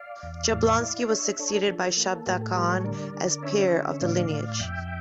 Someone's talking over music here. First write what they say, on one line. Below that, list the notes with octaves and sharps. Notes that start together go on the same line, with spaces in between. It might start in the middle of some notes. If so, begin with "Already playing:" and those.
Jablonski was succeeded by Shabda Kahn as Pir of the lineage.
Already playing: D5 F5
E2
A2 D5 F5
E4
D4 C#5 E5
D4 A4 C#5
F3 A4
A#3
A2 G4
A4
G3 G4 A#4
A4 C#5
D3 A#4 D5
D3
C#4 C#5 E5
D3
A2 D5 F5
A2
F2 E5 G5